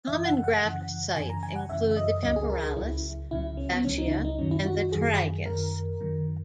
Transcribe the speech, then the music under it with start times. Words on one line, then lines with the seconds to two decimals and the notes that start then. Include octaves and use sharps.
Common graft sites include the temporalis fascia and the tragus.
0.07 F#2 C#3 E3 E5
0.25 F#5
0.44 F#5
0.62 F#2 C#3 E3
1.16 F#2 C#3 E3 G#5
1.30 A#5
1.43 G#5
1.56 F#5
1.69 F#2 C#3 E3 E5
1.91 E5
1.97 D#5
2.23 C#2 C#3 F#3 D#5
2.36 G#4
2.50 A#4
2.63 G#4
2.77 C#2 C#3 F#3 E4
3.31 C#2 C#3 F#3 E4
3.57 C#4
3.72 B3
3.85 C#2 C#3 F#3 C#4
3.98 D#4
4.12 E4
4.25 D#4
4.38 F#2 D#3 F#3 C#4
4.51 E4
4.66 F#4
4.78 F#4
4.92 F#2 D#3 F#3 G#4
5.46 F#2 D#3 F#3 A#4
6.00 F#2 D#3 F#3